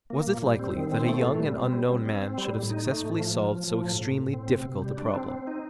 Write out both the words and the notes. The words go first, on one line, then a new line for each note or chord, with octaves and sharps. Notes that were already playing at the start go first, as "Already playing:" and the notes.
Was it likely that a young and unknown man should have successfully solved so extremely difficult a problem?
A#3
A#2
G3
C4
D#3
C4
A3
A#2
G3
C4
G3
C4
C4
C4
G3
A2
D#4
A3
A2
F3
F3
F3
F3
A2
A2
A2
C4
C3
C3
G3
D4
C4
C4
D#4